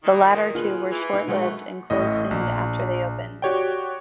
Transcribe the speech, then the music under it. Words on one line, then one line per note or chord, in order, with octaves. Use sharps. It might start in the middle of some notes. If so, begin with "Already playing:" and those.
The latter two were short-lived and closed soon after they opened.
A#2 D#3
F4 G#4 B4
E3
D#4
F#2 F#3 G#3 A3
A1 A2 D#5
A#1
F#4 G4 C#5 D5 G5